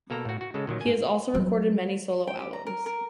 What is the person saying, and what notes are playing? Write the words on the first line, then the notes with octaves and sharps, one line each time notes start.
He has also recorded many solo albums.
B2 A#3 A4 A#5
A2 F#4
F#4
C#3 G#3 A4
A#2 D#3 F#3
G#2 G#5
F#3 F4
G5
G4
A#5
A#4
A#4